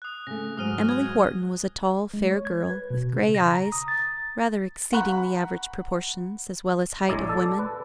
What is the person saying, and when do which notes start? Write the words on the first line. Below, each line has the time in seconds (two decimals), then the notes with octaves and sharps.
Emily Wharton was a tall, fair girl, with grey eyes, rather exceeding the average proportions as well as height of women.
0.02 D#6 F#6
0.27 C#3 A3 A#6
0.57 G#2 F#3 G#3 D#6 F6 D#7
0.89 G#6
2.14 G#3
2.29 C#5
2.45 G#6
2.70 B4
2.90 B2
3.13 C#3
3.35 A#6
3.53 A#5
3.72 D#6
3.88 A6
4.92 F#5 A#5 B5 C#6 F#6
7.08 A#1 G#3 E4 C#5 D5 A#5
7.29 A4 D5
7.59 B4